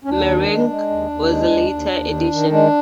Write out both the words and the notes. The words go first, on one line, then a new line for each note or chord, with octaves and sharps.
Meringue was a later addition.
C#4
D#2 D4
D#3
G#3
G#3
D#2
D#2
G#3
D#2
D#2
D#2
D#3
D#3
G#3 D4